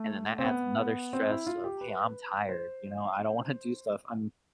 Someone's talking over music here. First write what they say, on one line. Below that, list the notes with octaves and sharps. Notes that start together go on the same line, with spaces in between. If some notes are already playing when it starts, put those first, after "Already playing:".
And then, that adds another stress of, "Hey, I'm tired," you know? "I don't wanna do stuff, I'm"
Already playing: A3
C4
B3
C4
E4
F4
G4
B4
C5